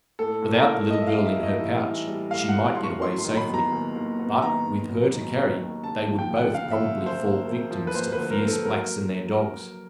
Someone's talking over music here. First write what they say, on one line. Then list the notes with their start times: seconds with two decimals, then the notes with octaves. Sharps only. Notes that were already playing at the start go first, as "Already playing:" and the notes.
Without the little girl in her pouch, she might get away safely; but, with her to carry, they would both probably fall victims to the fierce Blacks and their dogs.
0.19 A2 A4
0.42 A2
0.55 A#4
0.67 A2
0.90 A2 D#5
1.02 E5
1.07 F5
1.13 G3
1.26 E5
1.37 A2
1.43 D#5
1.60 E3
1.84 E3
2.07 G3
2.31 A2 F5
2.49 F#5
2.55 A2
2.75 A2 C6
2.84 C#6
3.01 F#3 C6
3.18 C6
3.25 D#3
3.37 B5
3.48 B3
3.54 A#5
3.72 D#2
3.95 D#2
4.19 B3
4.42 D#3 A#5
4.66 D#3
4.90 F#3
5.13 D#3
5.36 D#3
5.60 D#2
5.83 C#3 A5
6.02 A5
6.07 F3
6.19 G5
6.30 D2
6.36 F#5
6.53 C#3 F5
6.71 E5
6.78 D2
7.01 D2
7.06 C5
7.25 A#3
7.48 A#3
7.71 F3
7.87 B4
7.94 A#3 C5
8.12 B4
8.18 D2
8.31 A#4
8.42 A#3
8.48 A4
8.66 F#3 A#4